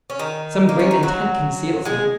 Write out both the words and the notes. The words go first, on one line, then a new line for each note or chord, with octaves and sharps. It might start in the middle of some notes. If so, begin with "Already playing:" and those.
Some great intent Conceals him.
C#4
D#3 D#4
A#3
C#4
D#4
F#3 F#4
G#3 G#4